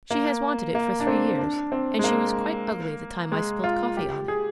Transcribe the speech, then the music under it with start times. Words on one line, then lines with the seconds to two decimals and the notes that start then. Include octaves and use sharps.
She has wanted it for three years, and she was quite ugly the time I spilled coffee on it.
0.11 A#3
0.75 A#3
1.00 D4
1.07 C4
1.39 D4
1.72 C4
1.99 G#3
2.04 A#3
3.32 G#3
3.64 F4
3.97 G4
4.28 G#4